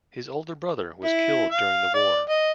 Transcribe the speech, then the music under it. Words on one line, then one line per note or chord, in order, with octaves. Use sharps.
His older brother was killed during the war.
E4
F5
D5
D#5